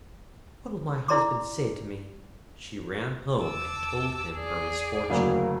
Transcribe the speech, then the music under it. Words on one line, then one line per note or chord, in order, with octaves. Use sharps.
'What will my Husband say to me?' She ran home, and told him her misfortune.
E4 D5 A#5 C6 D6
E2 A5 D6 E6
G#4 D5
F#1 D2 F#3 A#3